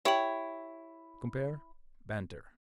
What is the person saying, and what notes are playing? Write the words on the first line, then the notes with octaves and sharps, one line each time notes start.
Compare BANTER.
E4 G4 C#5 G5 F#7